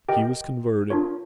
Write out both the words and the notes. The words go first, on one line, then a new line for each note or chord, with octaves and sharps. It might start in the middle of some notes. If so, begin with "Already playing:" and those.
He was converted.
G4 A#4 D#5 G5
D4 F4 A#4 C#5